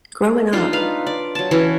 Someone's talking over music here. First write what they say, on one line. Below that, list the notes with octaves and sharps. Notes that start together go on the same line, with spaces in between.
growing up,
D4 D#4 F4
B4 F5
D5
F#3 A5
E3 C#4 F#4